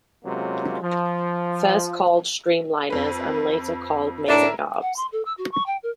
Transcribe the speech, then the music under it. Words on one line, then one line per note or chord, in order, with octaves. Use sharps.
First called "Streamliners", and later called "Mazengarbs".
C3 F#3 G#3 A#3 C#4 F4
F3
F2 B4
A2 D4 E4 A#4
F#5
C6
A4
E6
F#4
C#6
G5
A#4